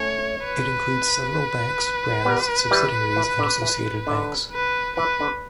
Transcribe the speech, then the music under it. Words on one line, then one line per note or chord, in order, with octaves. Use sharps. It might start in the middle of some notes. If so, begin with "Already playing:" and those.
It includes several banks, brands, subsidiaries and associated banks.
Already playing: A3 C#4 C#5
B4
G3 B3
E3 G3
E3
D3
E3
D3
B4
E3 B4
D3